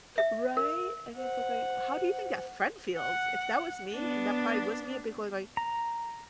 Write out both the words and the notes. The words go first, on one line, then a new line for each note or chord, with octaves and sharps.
Right, and he's like, going how do you think that friend feels? If that was me and that probably was me, I'd be going like,
E5
A#4
C5 F#5
F#5
B3 D4
A#5